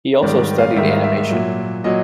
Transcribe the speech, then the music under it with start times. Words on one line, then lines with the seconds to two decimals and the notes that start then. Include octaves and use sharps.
He also studied animation.
0.23 G#2 D#3 G3 D5
0.58 F5
0.76 G#2 D#3 G3 E5
0.90 F5
1.04 E5
1.17 E5
1.30 A#2 F#3
1.84 A#2 F#3 D#5